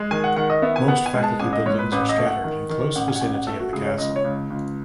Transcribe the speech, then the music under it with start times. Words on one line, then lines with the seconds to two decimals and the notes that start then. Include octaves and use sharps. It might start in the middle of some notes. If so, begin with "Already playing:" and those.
Most faculty buildings are scattered in close vicinity of the castle.
Already playing: G#3
0.11 D#3 G#5
0.24 F#5
0.37 D#3 F#5
0.50 D#5
0.62 B3 E5
0.76 G#5
0.88 B3 F#5
1.06 G#5
1.14 G#3
1.23 A5
1.40 A1 G#5
1.53 D#5
1.66 G#2 C#5
1.79 B4
1.92 A1 B4
2.09 D#5
2.18 A3
2.26 F#5
2.44 D#3
2.69 D#3
2.95 A1 F#5
3.08 G#5
3.16 F#5
3.21 A1 G#5
3.34 F#5
3.47 A3 A4
3.60 F#4
3.73 C#2 G#4
3.86 C#5
3.98 C#2 D#5
4.16 C#5
4.24 C#2
4.50 C#2